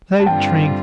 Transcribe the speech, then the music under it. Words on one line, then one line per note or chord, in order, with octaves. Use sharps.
They drink!
A5
G2 D3 G3 C4 F4 G5